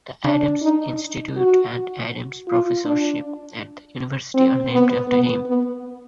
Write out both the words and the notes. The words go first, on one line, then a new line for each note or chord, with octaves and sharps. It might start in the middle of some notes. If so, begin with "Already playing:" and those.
The Adams Institute and Adams Professorship at the university are named after him.
D4
D#4
F#4
F4
D4
C4
B3
B3
B3